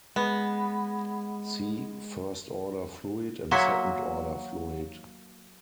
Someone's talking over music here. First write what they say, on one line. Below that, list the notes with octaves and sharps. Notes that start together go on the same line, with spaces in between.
See first-order fluid and second-order fluid.
G#3 B3
F#3 A#3 F#4 C#5 E5 C6 B6 C#7